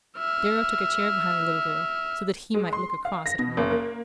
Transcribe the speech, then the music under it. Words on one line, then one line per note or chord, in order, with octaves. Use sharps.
Darrow took a chair behind the little girl, so that he might look across at her mother.
E5 F6
G#3
C6
F5
A#6
B2
F#1
A#3